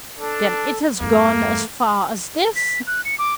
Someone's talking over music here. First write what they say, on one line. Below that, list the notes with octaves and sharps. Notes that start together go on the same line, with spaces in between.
"Then it has gone as far as this?"
D4 A4
E2 G2 A3 A#3
B6
F#6
C#7
D6